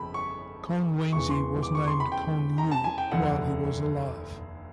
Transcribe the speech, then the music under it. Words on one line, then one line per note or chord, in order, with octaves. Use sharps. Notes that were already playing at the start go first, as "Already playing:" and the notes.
Kong Wenzi was named Kong Yu while he was alive.
Already playing: G1 F2 C#3 F3 B5
C#6
E1 E2 C#3 E3 C#6
C6
D6
C#6
C6
B5
G5
A#5
A5
G#5
G5
F1 D#2 D3 F3 F#5